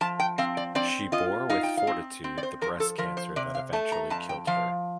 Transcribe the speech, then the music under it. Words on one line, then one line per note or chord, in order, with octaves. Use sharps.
She bore with fortitude the breast cancer that eventually killed her.
F3 A5
G5
C4 F5
D5
C4 D5
F4 D#5
D#4 F5
G5
F5
C4
C4
D5
C5
F3 A#4
A4
F3 A#4
C5
C3 D5
F5
A3 A5
A#5
F2 A5
G5
F3 F5